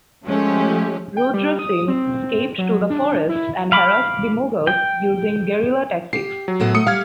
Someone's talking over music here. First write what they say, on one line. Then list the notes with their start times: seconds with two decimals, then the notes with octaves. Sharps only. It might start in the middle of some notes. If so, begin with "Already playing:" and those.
Rudra Singh escaped to the forests and harassed the Mughals using guerilla tactics.
0.25 F3 G#3 A3 C#4 G4
1.17 G5
1.34 G3
1.59 D#6
1.88 C4
2.58 F#3
2.90 D4
3.29 E4
3.72 F5 B5 D6
4.67 G5
6.13 G4 C7
6.48 F#3
6.60 A2 A3 B3
6.75 A3 D#6 C#7
6.87 G3 F5 F6 G#6